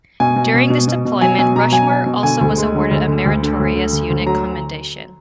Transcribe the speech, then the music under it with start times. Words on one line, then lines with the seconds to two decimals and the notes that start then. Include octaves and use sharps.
During this deployment, "Rushmore" also was awarded a Meritorious Unit Commendation.
0.20 B2 G#5
0.36 B2
0.54 B2
0.70 B2
0.88 B2
1.05 B2
1.21 F#3 G#5
1.39 B2 G#5
1.56 B2 A#5
1.72 F#3 G#5
1.90 B2
2.06 B2
2.23 D3 G#5
2.41 D2
2.58 G#3
2.75 D3
2.91 D2
3.08 D3
3.26 D2
3.43 D3
3.60 D2
3.75 D3
3.93 D3
4.10 D2
4.26 F#3 A#5